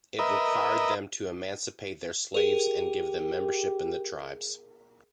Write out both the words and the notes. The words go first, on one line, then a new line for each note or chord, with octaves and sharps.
It required them to emancipate their slaves and give them membership in the tribes.
A#4 B4 D#5 E5
G4 G#4 A#4